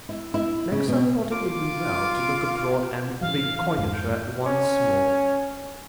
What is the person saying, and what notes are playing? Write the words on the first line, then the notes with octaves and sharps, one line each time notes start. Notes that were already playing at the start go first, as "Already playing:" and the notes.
Next I thought it would be well to look abroad and reconnoitre once more.
E4
E4
C#3
B2
F4 D6
A2 E3 F#3 F5
F2 G#2
G6
C#4